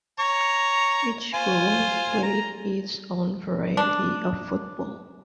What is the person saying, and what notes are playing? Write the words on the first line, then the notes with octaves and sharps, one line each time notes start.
Each school played its own variety of football.
C#5 A#5 C#6
F4 C5 G#5
A#5
D4